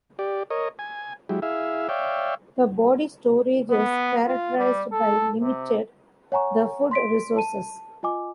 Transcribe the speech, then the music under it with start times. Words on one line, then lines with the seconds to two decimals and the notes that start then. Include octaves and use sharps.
The body storage is characterized by limited the food resources.
0.19 G4 D5
0.50 A#4 C#5 D#5
0.79 G#5
1.29 F#3 G#3 E4 G4
1.42 E4 G#4 E5 F5
1.89 C#5 D5 E5 F5 G5
3.70 B3
4.27 F4
4.58 G3
4.92 A4
5.41 C3
6.32 C#5 F#5 G#5 A#5 C#6
6.91 C6 B6 D7
7.37 A5 D#7
8.03 F4 D#5 G#5 D6